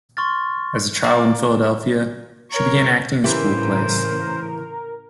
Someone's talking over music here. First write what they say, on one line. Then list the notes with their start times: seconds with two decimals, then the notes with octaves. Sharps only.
As a child in Philadelphia, she began acting in school plays.
0.17 C6 C#6 F6 A6
1.04 A#3 D5
2.52 A#4 C#5
3.24 A2 C#3 E3 E4 G4 A#4 C5